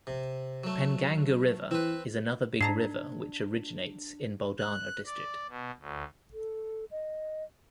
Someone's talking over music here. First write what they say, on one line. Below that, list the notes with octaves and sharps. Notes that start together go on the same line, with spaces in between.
Penganga river is another big river which originates in Buldhana district.
C3
F#3 A3
E3 C4 B4
G#2 D4 A5 A#5 C7
F#6
D5
B2
D2
A4
D#5